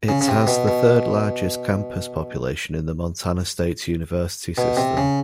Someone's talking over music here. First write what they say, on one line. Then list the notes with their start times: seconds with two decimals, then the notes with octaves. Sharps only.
It has the third largest campus population in the Montana State University System.
0.08 C#3
0.21 C#3
0.28 C3
0.47 B2
0.68 B2
4.58 B2
4.77 C3
4.97 C#3